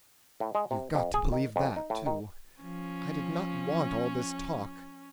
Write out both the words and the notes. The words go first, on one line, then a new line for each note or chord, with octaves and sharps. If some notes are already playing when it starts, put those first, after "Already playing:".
You've got to believe that, too. I did not want all this talk. . . .
A2
G#3
C3
F2
G#4
D#3
F2
D#4
A2
D#3
F3 C#4